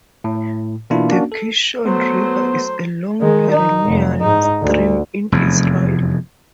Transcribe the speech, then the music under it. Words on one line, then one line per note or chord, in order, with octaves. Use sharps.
The Kishon River is a -long perennial stream in Israel.
A2
B2 E3 A#3 D4 E4 F4
A#3 C#4 D4 F#4
A4
F#3 A3 B3 C5
D#3 G#3
D#4
F1
G#2 D#4
D2
F1 E2